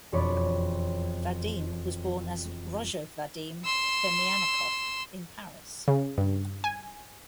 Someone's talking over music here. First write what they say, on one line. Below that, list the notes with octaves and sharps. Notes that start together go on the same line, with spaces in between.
Vadim was born as Roger Vadim Plemiannikov in Paris.
E1 F2 C#5 D5 B5 C#7
C6 E6
C#3
G2
G#5